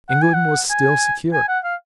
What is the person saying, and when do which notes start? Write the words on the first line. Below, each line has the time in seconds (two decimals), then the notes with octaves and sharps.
England was still secure.
0.09 F#5
0.22 G#5
0.33 F#5
0.70 G#5
1.33 G#5
1.48 F#5
1.64 F5